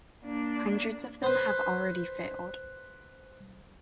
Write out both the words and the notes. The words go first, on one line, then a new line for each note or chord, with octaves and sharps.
Hundreds of them have already failed.
A#3 D4
B4 C5